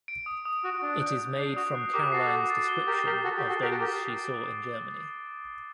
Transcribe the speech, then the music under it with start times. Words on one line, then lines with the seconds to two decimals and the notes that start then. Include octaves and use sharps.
It is made from Caroline's description of those she saw in Germany.
0.08 D7
0.26 D#6
0.45 D#6
0.64 F#4 D#6
0.83 D4 F#6
1.00 G6
1.20 D#6
1.38 D4 C7
1.56 F#4 D#6
1.75 F#6
1.94 G4 A#4 D6
2.12 F#4 A4 C7
2.31 D6
2.50 A6
2.68 G7
2.87 G4 A#4 A6
3.06 G4 A#4 D6
3.24 F#4 A4 D6
3.37 G4
3.43 D6
3.49 F#4 A4
3.62 G4 A#4 D7
3.71 F#4 A4
3.80 G4 A#4 D6